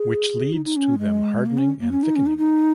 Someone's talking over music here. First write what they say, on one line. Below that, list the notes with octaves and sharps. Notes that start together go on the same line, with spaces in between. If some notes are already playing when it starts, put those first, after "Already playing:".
Which leads to them hardening and thickening.
Already playing: G#4
D#4
D#4
C#4
G#3
A#3
C#4
A#3
C#4
D#4
C#4
D#4
D#4